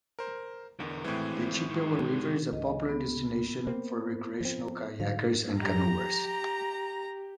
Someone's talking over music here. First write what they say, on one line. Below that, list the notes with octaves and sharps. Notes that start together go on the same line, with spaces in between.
The Chippewa River is a popular destination for recreational kayakers and canoers.
A#4 C5
E2 D3 A#4
A2 E3 G#3 C4
D#3 G#3
C#2 D#5
B3
A#3 C4
F3 C4
D3 F#3 F5
G4 A#5 A#6